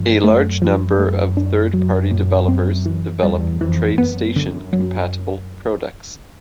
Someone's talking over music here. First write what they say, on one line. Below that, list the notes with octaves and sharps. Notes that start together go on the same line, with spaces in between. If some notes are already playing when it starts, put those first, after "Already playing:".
A large number of third-party developers develop TradeStation-compatible products.
Already playing: G2 F3
F#2 A3
F3
A3
D4
F#2 F#3
A#2
C4
E3
E2 G3
F2 E3
F#2 B3
D3
F#3